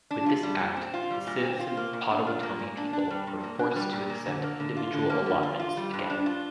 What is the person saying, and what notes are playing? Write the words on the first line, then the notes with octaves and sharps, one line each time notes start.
With this Act, the Citizen Potawatomi people were forced to accept individual allotments again.
D4
F4
G3
A#2
C4
F4
G3
A#2
C4
F4
A#3
A#2
D4
F4
A#3
A#2
D4
D4
G3
A#2
A#3
D4
G3
A#2
A#3
D3
A#3
D3
F4
D3
A#3
D3
F4
F4
G3
G2
D4
F4